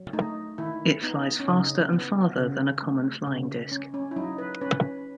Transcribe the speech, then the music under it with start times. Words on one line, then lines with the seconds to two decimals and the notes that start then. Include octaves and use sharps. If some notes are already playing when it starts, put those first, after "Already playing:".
It flies faster and farther than a common flying disc.
Already playing: F#3
0.13 A3 D#4
0.58 D#3 E4
1.03 B3 D#4
1.40 C#4
1.48 C#3 D#4
1.93 B3
2.37 C#3
2.82 A3
3.27 C#3
3.72 C#4
3.94 C#4
4.11 E4
4.16 F#3 D#4
4.38 B4
4.61 C#4 B4